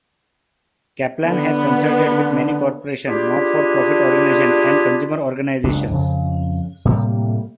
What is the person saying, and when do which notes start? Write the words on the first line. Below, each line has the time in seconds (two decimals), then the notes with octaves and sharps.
Caplan has consulted with many corporations, not-for-profit organizations, and consumer organizations.
1.23 D3 B3
3.07 D4 E4 F4 G4 G#4
5.64 F#1 C#2 C#3 D4
5.91 F2 C#3
6.85 A2 C3 G3 A#3